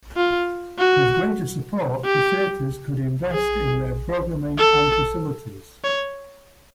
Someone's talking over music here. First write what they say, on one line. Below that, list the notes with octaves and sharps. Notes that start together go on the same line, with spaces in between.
With greater support, the theatres could invest in their programming and facilities.
F4
F#4
G4
G#4
A4
C#5